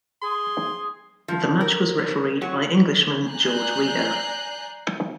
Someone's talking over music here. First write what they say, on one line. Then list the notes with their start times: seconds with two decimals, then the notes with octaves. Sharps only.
The match was refereed by Englishman George Reader.
0.22 G#4 C6
1.28 F3
1.61 A#4
2.42 F#3
3.27 D5 G#5 A#5 F#6 G6 C7